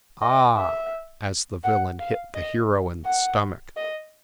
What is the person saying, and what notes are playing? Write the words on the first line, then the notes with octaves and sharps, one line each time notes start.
"Ahhhhh," as the villain hit the hero in the stomach....
D#5
E5
F#5
F5
D#5
F#5
D#5